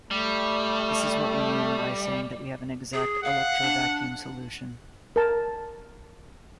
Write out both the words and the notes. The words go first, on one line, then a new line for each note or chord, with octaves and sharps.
This is what we mean by saying that we have an exact electrovacuum solution.
G3 A3
G#4
F5 F#5
D4
A#4 A5